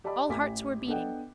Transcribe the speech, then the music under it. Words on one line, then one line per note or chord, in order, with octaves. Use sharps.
All hearts were beating.
G4 D5 D#5 A5 B5 D6
A1 G4 G#5 D6 B6
B3 D4 A4 D#5 F#5 G5